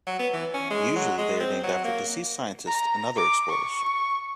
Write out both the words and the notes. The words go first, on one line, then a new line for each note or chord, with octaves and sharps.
Usually they are named after deceased scientists and other explorers.
F#3
B3
E3
C#4
G#3
F#3
G#3
C4
F#3
A#3
A#5
D6
C#6